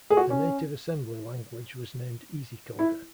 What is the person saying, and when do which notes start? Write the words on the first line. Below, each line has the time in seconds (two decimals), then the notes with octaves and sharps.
The native assembly language was named Easycoder.
0.10 G#4
0.17 F#4
0.30 C#4
2.79 E4